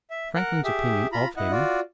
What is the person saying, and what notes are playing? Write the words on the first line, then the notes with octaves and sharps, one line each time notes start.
Franklin's Opinion of him.
E5
A#4 F#5
G4 G#4 E5
F4 A#5 B5
E4 D#5 F#5
F4 F#4 D5